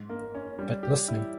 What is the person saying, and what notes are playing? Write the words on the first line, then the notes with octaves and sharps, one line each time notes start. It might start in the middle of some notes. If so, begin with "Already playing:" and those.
But listening.
Already playing: G#2
A#3
C#4
G3
G4
E4